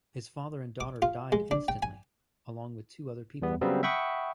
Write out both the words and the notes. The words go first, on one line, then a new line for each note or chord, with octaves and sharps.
His father and daughter died instantly, along with two other people.
D6
F4
G#3
D4
G5
G#5
E2 G3 B3
C#3 F#3 G3 B3 C4
E5 F#5 G5 B5 C#6 D#6